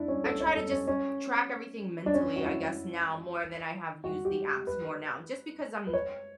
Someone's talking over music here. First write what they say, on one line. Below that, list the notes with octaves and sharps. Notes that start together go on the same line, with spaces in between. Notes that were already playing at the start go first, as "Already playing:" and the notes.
I try to just track everything mentally, I guess, now more than I have used the apps more now, just because I'm
Already playing: D4 E4
C#4
A4
C#5
A4
C#4
C#4
D4
C#4
F#4
E4
F#4
G4
B4
B4
C#5